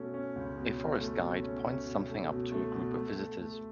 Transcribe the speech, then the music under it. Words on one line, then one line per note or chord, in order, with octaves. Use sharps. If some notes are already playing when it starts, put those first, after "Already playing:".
A forest guide points something up to a group of visitors.
Already playing: B2 A3 C#4
C#4
C#2
B2
C#4
A3
B2
C#4
C#4
B2
A3
B2
A3
B2
A3
A3
A3